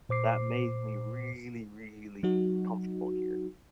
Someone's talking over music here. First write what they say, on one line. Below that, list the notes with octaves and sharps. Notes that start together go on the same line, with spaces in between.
that made me really, really comfortable here.
A#2 C5 D6 C7
F#3 D#4 F#4